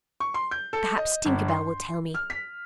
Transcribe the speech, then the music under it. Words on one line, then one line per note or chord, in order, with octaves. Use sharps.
'Perhaps Tinker Bell will tell me.'
C#6
C6
G6
A4
D#5
G1
C6
F6
B6